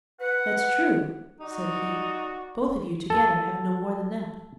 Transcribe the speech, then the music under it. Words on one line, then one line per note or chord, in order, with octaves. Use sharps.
"That's true," said he, "both of you together have no more than that."
B4 F#5
D#4 F#4 D5
A4